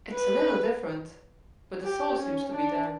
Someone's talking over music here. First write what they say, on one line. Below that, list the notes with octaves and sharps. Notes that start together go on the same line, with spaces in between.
It's a little different, but the soul seems to be there.
B4
G4
C#4
D4